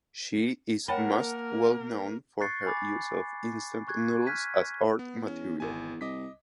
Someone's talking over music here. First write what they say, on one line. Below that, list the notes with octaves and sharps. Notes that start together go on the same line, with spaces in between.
She is most well known for her use of instant noodles as art material.
A#3 A#4 C#5 F#5 G5 A5 B5
C#6 F#6 G#6 A6 C7 C#7
G#5 B5 D6 A6
C#6 F#6 G#6
F6 F#6 G#6 B6 D#7
B3
E2 C#4
G#1 G#5
C2 D#5 D6 B6